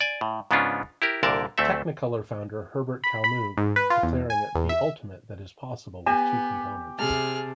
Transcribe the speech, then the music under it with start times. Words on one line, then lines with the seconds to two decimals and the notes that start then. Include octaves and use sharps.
Technicolor founder Herbert Kalmus declaring it the ultimate that is possible with two components.
0.01 D5 G#5
0.21 A2
0.51 G#2 C#3 B3 C#4 D4 F4
1.02 E4 G4 A#4
1.23 C2 A#2 D3 A#4 D5 A5
1.58 D2 A3 C4 A4 E5
3.04 B5
3.24 B5
3.57 G#2
3.76 B4
3.90 F4
4.03 E2
4.30 G#5
4.55 E2
4.69 E5
6.06 B3 G4 G#5 A#6 E7
6.99 C3 G#4 A5 F6